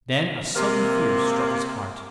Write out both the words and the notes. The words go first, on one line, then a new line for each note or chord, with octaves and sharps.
Then a sudden fear struck his heart.
C3 A#3